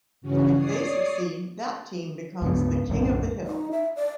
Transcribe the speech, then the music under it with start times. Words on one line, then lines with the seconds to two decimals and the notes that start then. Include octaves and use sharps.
If they succeed, that team becomes The King of the Hill.
0.21 G2 C#3 E3 C#4 F#4
0.54 C#5 D5 D#6 C7
2.42 C#2 G2 C#3 B3
2.89 B1 F#2 A2 D3
3.47 D#4
3.72 E5
3.96 D5